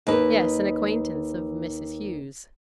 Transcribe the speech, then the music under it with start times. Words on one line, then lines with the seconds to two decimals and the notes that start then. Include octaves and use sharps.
"Yes, an acquaintance of Mrs. Hughes."
0.07 D#2 D#4 B4